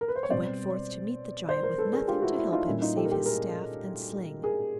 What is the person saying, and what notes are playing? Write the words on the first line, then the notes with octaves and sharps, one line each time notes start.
He went forth to meet the giant with nothing to help him save his staff and sling.
A#4
B4
C5
C#5
B2 G3 C4 C5 D5
C5 D5
A#4 C5
A4 B4
G#4 A#4
F4 G4
E4 F#4
E4
D#4 F4
A#2 G3 A#3 C#4 E4
D#4 F4
G4 A4
A#4
G4 A4
G#4 A#4
G#4 A#4